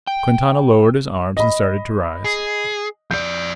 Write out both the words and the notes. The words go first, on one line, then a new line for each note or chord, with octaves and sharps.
Quintana lowered his arms and started to rise.
G5
D#5 B5
G#4
F2 D5 G6